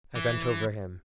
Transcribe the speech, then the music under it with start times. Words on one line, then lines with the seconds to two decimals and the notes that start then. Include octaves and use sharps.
I bent over him.
0.15 E3